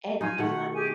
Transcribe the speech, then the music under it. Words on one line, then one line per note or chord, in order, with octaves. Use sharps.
And you find
D#4 F4 C#5 G#5
B2 D#3 A3 F#5
G4 G#4 G#5